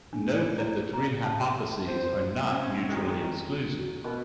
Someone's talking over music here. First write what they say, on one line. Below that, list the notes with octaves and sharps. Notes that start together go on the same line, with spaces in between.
Note that the three hypotheses are not mutually exclusive.
D4
D5
E4
A#5
A5
C5
C4 C#4
D#3 G#3 F#4 G5 A#5
F#4
B2 B3 A#4